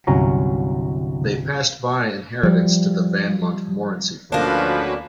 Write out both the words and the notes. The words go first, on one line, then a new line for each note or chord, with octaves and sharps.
They passed by inheritance to the van Montmorency family.
G1 C2 F#3 C#4 A#5
F3 G3
D2 F3 A#3 C#4 D4 F#4 B4